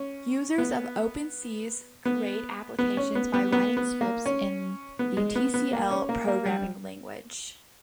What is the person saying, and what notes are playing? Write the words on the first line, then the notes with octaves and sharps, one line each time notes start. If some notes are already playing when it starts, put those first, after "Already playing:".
Users of OpenSees create applications by writing scripts in the Tcl programming language.
Already playing: C#4
B3
B3
B3
C#4
B3
B3
B3
B3
A#3
C#4
B3
G#3
B3
B3
A#3
C#4
A#3
A#3
G3